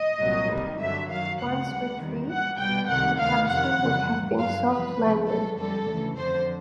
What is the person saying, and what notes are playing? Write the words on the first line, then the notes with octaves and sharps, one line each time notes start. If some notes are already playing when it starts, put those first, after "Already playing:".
Once retrieved, the capsule would have been soft-landed.
Already playing: D#5
C2 A#2 F#3
C2 C3 D#3 G3
G2 D3 F#3 E5
F#2 D#3 F#3 F5
D2 C#3 F3 F#5
D2 D3 G3
E2 C3 D#3 G3
G#2 E3 G3 F#5
C2 B2 G3 G5
C2 C3 D#3 F#5
D2 C3 D#3 F5
F2 C3 D#3 F#5
F2 C#3 E3 G3
A2 E3 G3
G2 D3 F#3 F5
F2 C3 E3 G3 B4
C#2 C3 F3
C#2 B2 F#3 A4
F2 D3 G3 A4
D2 C#3 E3
F2 D3 F3 C5